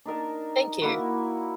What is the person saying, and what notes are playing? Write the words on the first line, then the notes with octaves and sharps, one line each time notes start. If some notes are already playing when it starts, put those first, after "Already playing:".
Thank you.
D4 D#4 A#4 A5
A#3 E4 F#4